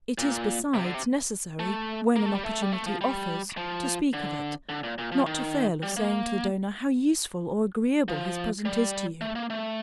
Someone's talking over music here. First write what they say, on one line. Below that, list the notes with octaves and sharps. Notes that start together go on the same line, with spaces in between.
It is besides, necessary, when an opportunity offers, to speak of it, not to fail of saying to the donor, how useful or agreeable his present is to you.
A#2
C3
D3
C3
A3
A#3
A3
G3
A3
G3
A3
F3
G3
F3
D3
D3
A#2
A#2
F3
D#3
G3
A#3
F3
G3
A3
A#3
A3